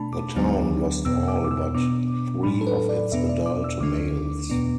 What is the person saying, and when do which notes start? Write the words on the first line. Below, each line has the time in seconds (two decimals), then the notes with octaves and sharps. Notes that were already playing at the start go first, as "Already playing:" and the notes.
The town lost all but three of its adult males.
Already playing: B2 A3 D4 A5 B5
0.13 D6
0.36 D2 D3 F#3 B3 D4
1.05 E2 B2 B3 E6
1.28 D6
1.44 D6
1.51 E6
1.75 B2 B3 D4 D6
2.43 A2 F#3 D4 B5
2.61 A4
2.67 B4
2.89 D5
3.12 E2 B2 B3 D4 E5
3.29 D5
3.46 D6
3.64 E6
3.81 D2 D3 A3 D4 D6
4.50 E2 B2 B3 D4